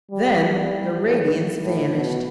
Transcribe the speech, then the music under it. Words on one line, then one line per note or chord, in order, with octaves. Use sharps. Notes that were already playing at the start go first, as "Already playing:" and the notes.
Then the radiance vanished.
G3
G3
A2
A2
B2